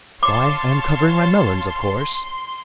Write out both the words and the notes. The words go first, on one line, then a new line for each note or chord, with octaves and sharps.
"Why, I am covering my melons, of course!"
C#5 F5 A5 C6 D6